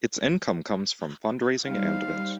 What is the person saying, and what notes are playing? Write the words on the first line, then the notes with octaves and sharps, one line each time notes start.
Its income comes from fundraising and events.
G3 D#4 C5 F5